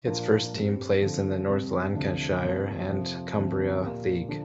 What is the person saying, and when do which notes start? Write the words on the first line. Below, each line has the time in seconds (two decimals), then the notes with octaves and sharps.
Its first team plays in the North Lancashire and Cumbria league.
0.06 A#2 F3 A#3 D4 F4
0.54 G2 G3 C4
1.01 D3 F3 C4
1.48 F2 C3 G3
1.95 D2 C3 F3 D4
2.41 C3 F3 A#3
2.88 F2 C3 F3
3.36 D2 C3 F3 C4
3.81 A#2 A#3 G4
4.29 D3 F3 D4